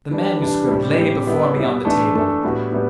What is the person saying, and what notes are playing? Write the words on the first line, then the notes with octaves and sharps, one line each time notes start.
The manuscript lay before me on the table.
E3 G3 D4
E3 G3 D4
A2 G3 C4 G4
A2 G3 C4 G4
G3 B3 E4
G3 B3 E4
E3 A3 D4 A4
E3 A3 D4 A4
A2 G3 B3 F#4 B4
A2 G3 B3